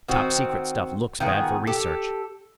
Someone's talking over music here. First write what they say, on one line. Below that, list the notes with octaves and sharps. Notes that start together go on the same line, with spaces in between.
The topsecret stuff looks bad for research.
D#3 C4 F#4
D#3 B3 F4 G#4
G4 A4